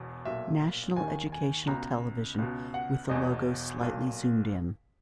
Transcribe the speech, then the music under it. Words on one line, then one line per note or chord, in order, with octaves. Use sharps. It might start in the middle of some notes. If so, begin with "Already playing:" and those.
National Educational Television with the logo slightly zoomed in.
Already playing: E1 E2 B2
B1 A#2 E5
D#2 D#3 G#5
G#5
C#2 B2 A#5
C#2 B2
F#5
E1 E2 B2 D#5
B1 A#2